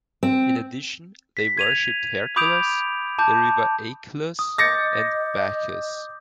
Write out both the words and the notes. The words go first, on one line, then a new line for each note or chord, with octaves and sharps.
In addition, they worshiped Hercules, the river Achelous and Bacchus.
C4
B6
G#6 D#7 F7
B5 D6 D#6 G6 D7 F7
A5 D6 G6
D#6
D#5 D6 G6 A6 A#6 C#7